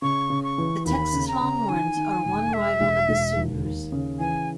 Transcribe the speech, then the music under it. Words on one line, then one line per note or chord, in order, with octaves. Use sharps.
The Texas Longhorns are one rival of the Sooners.
C#3 C#6
C#3
C#6
E3
D#2 B5
C#3
A#5
C#3
D#3 G#5
D#3
E1
G#3 E5
E1
E1
D#2
D#2
C#3
E3 G#5